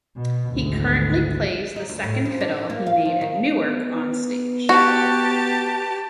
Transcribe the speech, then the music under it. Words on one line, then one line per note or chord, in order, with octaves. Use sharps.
He currently plays the second fiddle he made at Newark on stage.
B2
G#1 D2
D#4
D2
A2
F3
D4
A#3
F5
F3
D#3
B3
F#4 G4 A5